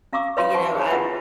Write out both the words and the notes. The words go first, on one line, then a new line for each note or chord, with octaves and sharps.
and you know, I
C#4 F5 A#5 C#6 D6 E6
B4 C#5 F5 B5 C6
C5 F5 F#5 A5 C#6
G#4 C#5
F4 B4 F#5 G5
E4